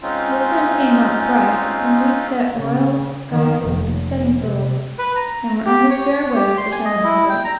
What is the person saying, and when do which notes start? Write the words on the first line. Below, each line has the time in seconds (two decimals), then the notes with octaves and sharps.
The sun came up bright, and we set royals, skysails, and studding-sails, and were under fair way for Santa Barbara.
0.01 G#3 C4 C#4 D#4 F4
2.56 C#3
3.31 D#3
3.64 F1
4.38 C3
4.99 B4
5.16 A#5
5.66 G4
5.90 C#5
6.35 G4
6.58 C6
6.72 G#5
6.85 D#5
7.04 E4
7.29 G5
7.45 A#5